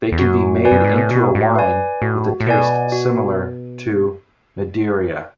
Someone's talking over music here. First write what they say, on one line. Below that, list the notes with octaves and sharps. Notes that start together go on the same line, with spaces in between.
They can be made into a wine with a taste similar to Madeira.
E2
F#2 F#4
B4 D5 G#5
F#2
G#2
A2
B2 F#4
G#2
A2
B4 D5 G#5
A2 F#4
A2
B2 B4 D5 G#5
F#4